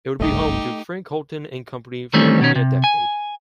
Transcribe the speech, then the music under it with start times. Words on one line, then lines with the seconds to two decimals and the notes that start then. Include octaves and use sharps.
It would be home to Frank Holton and Company for only a decade.
0.20 F#1 B1 G2 A3 D#4 G4 D#5
2.14 D#3 E3 G3 A3 C4 C#4
2.41 B2 D#3 C#4
2.56 C3
2.84 G#5